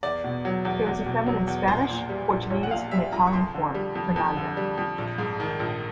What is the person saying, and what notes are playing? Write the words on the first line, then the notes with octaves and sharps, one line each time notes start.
There is a feminine Spanish, Portuguese and Italian form, "Fernanda".
E2 D5
B2
F#3
E2
E2
B2
F#3
E2
A#1 C5
A#2
G3
A#1
A#1 C#5
F#5
A#2 F5
G3 E5
A#1 A#5
C#6
F2 C6
D3
G3
F2
F2
D3
G3
F2
A#1
G#2
D#3
A#1